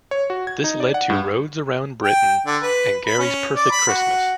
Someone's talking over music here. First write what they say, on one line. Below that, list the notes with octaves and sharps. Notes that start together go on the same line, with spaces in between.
This led to "Rhodes Around Britain" and "Gary's Perfect Christmas".
C#5
F#4
G#6
D#4
D5
F#5
G2
G5
D3
B4
B5
C#4
D5
B5
F#4